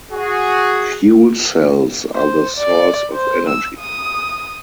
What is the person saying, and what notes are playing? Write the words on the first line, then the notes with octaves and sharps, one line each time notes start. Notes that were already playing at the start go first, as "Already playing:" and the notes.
Fuel cells are the source of energy.
F#4 G#4
C5
D5
C5
E6
D#6